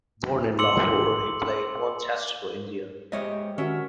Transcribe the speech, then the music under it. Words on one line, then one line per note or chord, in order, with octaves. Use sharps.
Born in Lahore, he played one Test for India.
C6 D6 E6 C#7 F#7
G#3 G4 C5 C#5 D#5 E5
D#3 C#4 F#4 A#4 E5